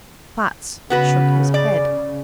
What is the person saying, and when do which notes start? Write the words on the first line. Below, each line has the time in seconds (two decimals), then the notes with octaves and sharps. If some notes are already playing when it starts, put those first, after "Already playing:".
Platts shook his head.
0.90 C#3 B3 F#4 B4
1.54 D5